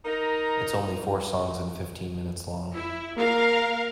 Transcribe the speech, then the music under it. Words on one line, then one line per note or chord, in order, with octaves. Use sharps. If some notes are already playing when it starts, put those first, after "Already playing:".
It's only four songs and fifteen minutes long.
D#4 A#4
E4
A#3 A#4 F5